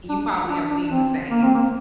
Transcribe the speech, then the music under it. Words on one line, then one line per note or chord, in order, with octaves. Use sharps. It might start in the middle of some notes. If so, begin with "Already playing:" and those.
you probably have seen the same.
D4
D4
D4
C4
A#3
C4
A#3